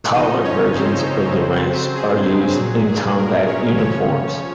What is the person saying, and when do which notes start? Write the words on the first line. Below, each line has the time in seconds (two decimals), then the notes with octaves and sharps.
Collar versions of the ranks are used in combat uniforms.
0.14 C#3 F3 D#4 D#5
0.44 C#4 C#5
0.74 C4 C5
1.36 C#3 F#3
1.95 G#4
2.57 A#2 F#3
2.87 G#4
3.17 A#4
3.47 C#4 C#5
3.77 C#3 F3 C#4 C#5